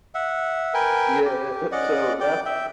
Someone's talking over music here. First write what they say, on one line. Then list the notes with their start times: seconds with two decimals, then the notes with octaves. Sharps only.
yeah, so that's
0.15 E5 F#5
0.74 A#4 B4 G5 G#5
1.25 G4
1.72 C#4 D5 D#5 F#5
2.20 D5 G5
2.46 E5 G5